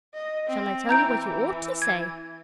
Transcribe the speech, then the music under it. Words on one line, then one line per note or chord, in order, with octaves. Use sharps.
"Shall I tell you what you ought to say?"
D#5
C4
E3 A#5 G6 D7
G#6